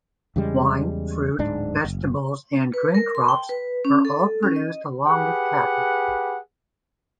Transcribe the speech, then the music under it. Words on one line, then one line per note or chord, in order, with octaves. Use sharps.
Wine, fruit, vegetables and grain crops are all produced along with cattle.
E2 C#3 G3 G#3
D1 G#2 D4
F#1
B4
A#4
C6
G5
B4
C#4
A4
C#4
D#5
G4 G#4 B4 F#5